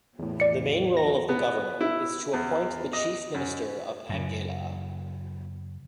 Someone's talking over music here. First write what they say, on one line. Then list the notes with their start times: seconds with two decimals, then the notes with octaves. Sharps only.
The main role of the Governor is to appoint the Chief Minister of Anguilla.
0.19 E2 A2
0.40 D5 C#7
0.93 E2 A#6
1.29 B3
1.81 E4
2.33 E2
2.93 D#5
3.34 F#2
4.09 F#2 C#3